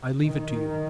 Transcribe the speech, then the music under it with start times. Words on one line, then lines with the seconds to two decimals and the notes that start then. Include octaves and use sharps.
I leave it to you.
0.23 D#3